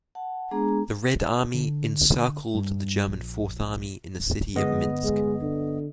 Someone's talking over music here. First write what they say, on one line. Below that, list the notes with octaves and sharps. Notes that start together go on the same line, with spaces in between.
The Red Army encircled the German Fourth Army in the city of Minsk.
F#5 A5
G#3 B3 D4 G#4 A#5
D3
G2
A#1
G1 G#3 B3 D#5
G#3
D3